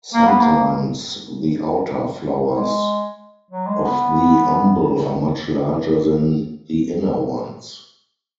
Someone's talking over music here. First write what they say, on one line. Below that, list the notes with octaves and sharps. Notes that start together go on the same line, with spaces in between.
Sometimes the outer flowers of the umbel are much larger than the inner ones.
A#3
B3
A#3
G#3
F#3
G#3
B3